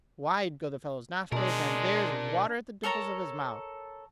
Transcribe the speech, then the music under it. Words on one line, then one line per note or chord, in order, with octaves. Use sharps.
Wide go the fellow's nostrils, and there's water at the dimples of his mouth!
B2 G#3 D4 A#4 D5
A4 A#4 C#5 A#5